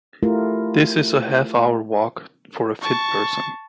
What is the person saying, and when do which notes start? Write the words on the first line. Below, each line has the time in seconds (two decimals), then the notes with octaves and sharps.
This is a half-hour walk for a fit person.
0.23 A3 E4 F4 G4 A#4
2.81 A5 C#6